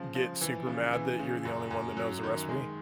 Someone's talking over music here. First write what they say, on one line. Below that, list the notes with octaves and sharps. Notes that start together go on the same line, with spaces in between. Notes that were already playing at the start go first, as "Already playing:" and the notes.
get super mad that you're the only one that knows the recipe?
Already playing: C#3 F3
F3
E3
C#3
E3
C#3
F#2
F#2
F#3
D#3
G#3